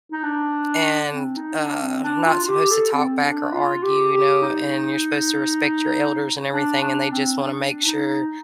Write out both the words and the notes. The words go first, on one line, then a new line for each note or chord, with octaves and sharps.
and, uh, not supposed to talk back or argue, you know, and you're supposed to respect your elders and everything, and they just wanna make sure,
D#4
D4
C4
D#4
D4
C4
D4
F4
F4
G4
A4
C4
D4
F4
G4
G4
D#4
D4
D4
C4
D4
D#4